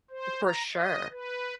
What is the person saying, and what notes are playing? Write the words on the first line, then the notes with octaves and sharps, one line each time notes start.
For sure.
C5
A#5
D#5
B4